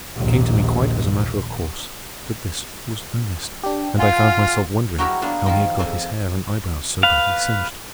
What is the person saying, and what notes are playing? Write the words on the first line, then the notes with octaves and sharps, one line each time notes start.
It came to me quite as a matter of course that this was Ernest, and I found myself wondering how he had got his hair and eyebrows so badly singed.
A#1 D#2
D4 G4
F4 F5 F#5 G#5 C6
F#3 E4 F#4 G4 A#4 E5
A#3 B3 D4 F4 A5
D#3 F3 F4
F2 A4 G#5
B4 F5